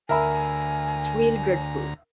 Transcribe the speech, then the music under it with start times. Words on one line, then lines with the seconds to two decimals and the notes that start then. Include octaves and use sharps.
It's really dreadful!
0.09 D2 A#4 E5 G#5 A#5 B5